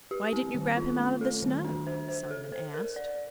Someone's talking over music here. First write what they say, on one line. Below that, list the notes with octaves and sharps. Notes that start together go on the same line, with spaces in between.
"Why didn't you grab him out of the snow?" Simon asked.
G4
C4
D#3
F4
A3
A4
D#3
D4
C5
C5
A4
C5
A#4
D5